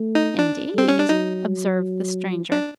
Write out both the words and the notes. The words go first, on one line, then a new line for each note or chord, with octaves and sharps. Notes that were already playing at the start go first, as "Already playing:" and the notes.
"Indeed?" observed the Stranger.
Already playing: A3
D#4
D4
G3 C4
C#4
D4
F#3 D#4
D4